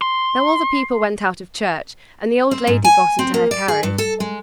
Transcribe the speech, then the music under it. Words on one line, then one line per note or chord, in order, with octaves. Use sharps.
Now all the people went out of church, and the old lady got into her carriage.
C6
C4
G#2
G#5
C4
A#3
D5
G#4
G2
A4
G#3